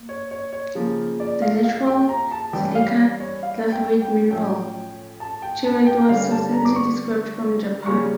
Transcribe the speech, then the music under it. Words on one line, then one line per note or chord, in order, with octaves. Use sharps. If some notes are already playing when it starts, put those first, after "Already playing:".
The natural silica clathrate mineral, chibaite was recently described from Japan.
Already playing: A#3
C#5
C#5
C#5
C#3 F3 A#3
D5
F5
F5
G5
A#5
A5
E3 G3 C#4 G5
F5
C#5
F5
G5
G5
A2 F3 C#4 G5
A5
G5
A5
G5
D3 G3 C#4 F5
A5
A#5
D6
C#6
C#3 G3 A#3 C#4 C#6